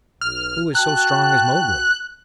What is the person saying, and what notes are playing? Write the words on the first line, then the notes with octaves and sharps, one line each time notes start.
Who is so strong as Mowgli?
B1 F6
F#4 G5 A5 F#6